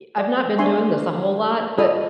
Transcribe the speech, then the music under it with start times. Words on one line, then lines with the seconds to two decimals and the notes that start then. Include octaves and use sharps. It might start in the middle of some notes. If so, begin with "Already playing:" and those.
I've not been doing this a whole lot, but
0.17 D5 F5
0.58 D4 E5 G#5 C6 C#6
1.78 F4 A4 D5 D#5 B5 D#6